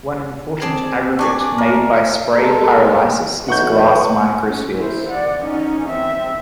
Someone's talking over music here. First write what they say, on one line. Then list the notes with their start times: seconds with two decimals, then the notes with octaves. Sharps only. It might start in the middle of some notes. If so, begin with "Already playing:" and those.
One important aggregate made by spray pyrolysis is glass microspheres.
0.61 C4 G#4 D5 A5
1.19 D4 D5 G#5 C#6
1.58 A2 A#4
2.35 G#3 A4 A#4
3.48 B1 E3 F#5 C#6 G6
4.48 C#4
4.79 E4 C5
5.10 D5 F#5
5.44 C#4 D#4
5.89 C4 E5